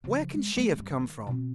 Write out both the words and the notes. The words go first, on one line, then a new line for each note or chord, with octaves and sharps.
Where can she have come from?'
C#3 F3
G#3
F#3 A3
G2
D#3
B2 C4